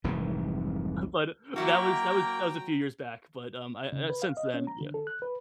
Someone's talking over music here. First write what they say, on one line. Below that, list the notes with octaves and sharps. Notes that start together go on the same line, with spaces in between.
But that was that was that was a few years back, but, um, I I since then yeah.
F1 C2 G#2 E3
F#3 A#3 E4 F#4 G5 A#5
C#3
B4
F5
D#5
C#4
A#5
D3
A4
F#6
B4